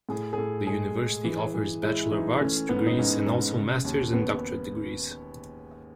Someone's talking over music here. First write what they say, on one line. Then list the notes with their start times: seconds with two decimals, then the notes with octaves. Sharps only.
The university offers Bachelor of Arts degrees and also Master's and Doctorate Degrees.
0.09 A2 G#4
0.33 G#4
0.38 A2 A4
0.67 G#3 G#4
0.96 G#3
1.25 E3
1.54 E3
1.83 G#3 E4
2.12 E3 D#4
2.40 A3 C#4
2.69 G#2 B3
2.87 D#4
2.98 G#2 C#4
3.26 G#2
3.56 C#3
3.85 D#2
4.13 D#2 B3